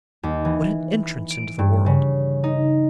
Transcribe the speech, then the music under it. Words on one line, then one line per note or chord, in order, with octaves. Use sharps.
What an entrance into the world!
D#2
E3
D7
G2
C#3
D#4